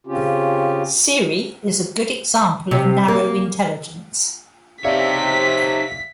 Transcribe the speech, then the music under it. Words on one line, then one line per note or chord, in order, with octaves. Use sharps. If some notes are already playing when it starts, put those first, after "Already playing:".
Siri is a good example of narrow intelligence.
C#3 C4 C#4 F4 G4
C3
A#3
C3 D#4 C#5 D5 E5 F5 B6